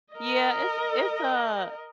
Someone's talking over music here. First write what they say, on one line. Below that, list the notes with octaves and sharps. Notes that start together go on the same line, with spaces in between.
Yeah, it's it's a
A#4 D#5